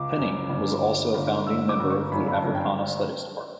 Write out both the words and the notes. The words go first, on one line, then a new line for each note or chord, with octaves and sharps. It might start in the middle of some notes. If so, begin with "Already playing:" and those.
Penny was also a founding member of the Africana Studies Department.
Already playing: C#2 D6
F#2
G1
G1
G1
G1 E6
D6
G1
C#6
F#2 B5
B5
A5
G1
G5